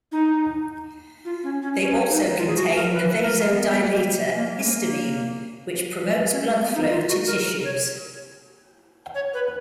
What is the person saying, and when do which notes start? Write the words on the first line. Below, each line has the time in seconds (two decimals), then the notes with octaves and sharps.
They also contain the vasodilator histamine, which promotes blood flow to tissues.
0.12 D#4
1.25 F4
1.44 C#4
1.63 C#4
1.81 C#4
2.09 D#4
2.37 F4
2.48 G#4
2.56 F#4
2.75 A#4
2.94 B4
3.22 A#4
3.51 B3
3.79 A#3
4.35 A#3
4.57 G#3
4.64 A#3
6.32 C#4
6.47 G#3
6.61 B3
6.75 D#4
6.89 F4
7.08 F#4
7.27 A#4
7.64 C#5
9.15 C#5
9.34 B4